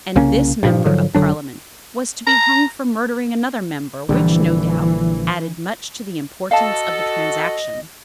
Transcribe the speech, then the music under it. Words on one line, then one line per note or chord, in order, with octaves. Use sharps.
And this Member of Parliament was to be hung for murdering another member, which, no doubt, added much to the importance of the transaction.
C2 C#3 A#3 C#4
G2 A#2 F3
G#2 D3 F3 F#3
F#1 D3 F#3 D4
A#5
A#1 D3 E3 G3
F#4 A4 D#5 F5 A5